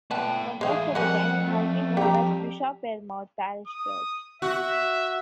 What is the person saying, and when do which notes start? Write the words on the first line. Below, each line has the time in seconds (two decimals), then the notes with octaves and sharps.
For most of that time, it has been known as 'Bishopwearmouth Parish Church'.
0.11 D3 A3 B3 G5 A5
0.61 A2 E3 G#3 G#4 F5
0.95 F2 G3 A#4 F#5 G#5
1.45 A3
1.97 G3 G4 A#5
3.67 D#6
4.42 F#4 E5